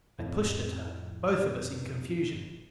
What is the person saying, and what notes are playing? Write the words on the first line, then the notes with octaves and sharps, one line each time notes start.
I pushed at her, both of us in confusion.
F2 A2